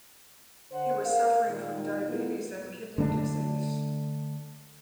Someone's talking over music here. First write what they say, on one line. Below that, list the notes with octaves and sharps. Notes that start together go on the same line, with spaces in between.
He was suffering from diabetes and kidney disease.
D3 C5 F#5
A#4 F5
A#2 D#3
E3 G#3 A#3 B3 E4 F4
D3 A3 C#4 D4